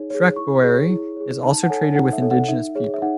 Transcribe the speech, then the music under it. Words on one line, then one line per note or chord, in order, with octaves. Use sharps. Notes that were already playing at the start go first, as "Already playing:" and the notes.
Trekboere also traded with indigenous people.
Already playing: D#4 G#4 C#5
G#4 C#5
E4 C#6
G#4 C#5
E4
G#4 C#5
D#4 A5
F#5
A4 C#5 G#5
D#4 F#5
E5
A4 C#5
F#5
D#4 E5
G#4 C#5
E5
D#4 F#5